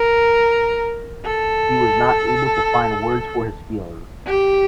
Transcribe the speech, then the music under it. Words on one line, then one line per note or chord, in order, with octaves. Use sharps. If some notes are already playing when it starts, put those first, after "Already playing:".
He was not able to find words for his feelings.
Already playing: A#4
A4
G4